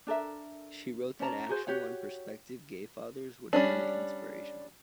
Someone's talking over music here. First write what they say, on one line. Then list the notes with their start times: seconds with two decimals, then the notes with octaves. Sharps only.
She wrote that actual and prospective gay fathers would find it inspirational.
0.07 D4 A4 A#4 E5
1.20 C#4 D5 A5 A#5
1.49 F#4 G#4 C5
1.67 F#4 G4 C#5 F#5
3.53 G3 C#4 D4